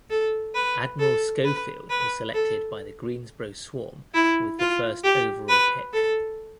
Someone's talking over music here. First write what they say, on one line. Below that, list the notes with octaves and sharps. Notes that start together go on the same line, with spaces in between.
Admiral Schofield was selected by the Greensboro Swarm with the first overall pick.
A4
B4
A4
B4
B4
A4
E4
F4
G4
B4
A4